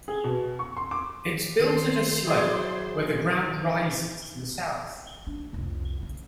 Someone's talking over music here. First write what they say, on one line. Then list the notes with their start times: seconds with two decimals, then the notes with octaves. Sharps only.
It is built at a slope, where the ground rises to the south.
0.08 G#4
0.24 B2
0.59 C#6
0.77 C6
0.91 D6
1.60 D#3 C5 C6
2.27 F#3 E4 G#4 D5 G#5
5.27 D4
5.53 C2 F2
6.03 C#3